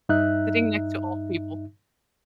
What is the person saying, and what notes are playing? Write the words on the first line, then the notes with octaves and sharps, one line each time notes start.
Sitting next to old people.
G2 D#4 E5 F#6